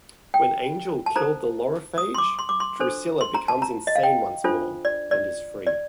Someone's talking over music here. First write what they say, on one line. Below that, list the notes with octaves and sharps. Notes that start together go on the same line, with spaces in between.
When Angel killed the Lorophage, Drusilla becomes insane once more, and is free.
G5
A5
D#4 A4 C5 A#5
D#6
C6
D6
C6
D6
C6
D4 A4 C5
C6
A#5
A5
A#5
D#5
F5
G5
D4 F4 A4 C5
D5
D5
D5